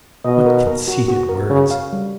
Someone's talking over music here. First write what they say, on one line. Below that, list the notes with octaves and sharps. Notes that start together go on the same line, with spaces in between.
What conceited words!
B2 D#5
A#4
A#4
F#4
F#4
A#4
C#3 C#5
F5
G3